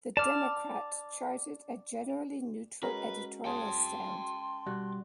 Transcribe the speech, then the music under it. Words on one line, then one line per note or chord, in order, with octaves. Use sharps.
The "Democrat" charted a generally neutral editorial stand.
D5 A5 F6
G#3 C#4 F#4 A#4 B4
C#4 G#4 G5 A5 C6
B2 G3 F#4